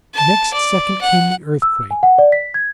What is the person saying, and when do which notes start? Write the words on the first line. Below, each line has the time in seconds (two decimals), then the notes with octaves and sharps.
Next second came the earthquake.
0.14 A5
0.54 D5
1.01 F#5
1.62 E6
1.91 G#5
2.03 F#5
2.18 D5
2.32 B6
2.54 G#6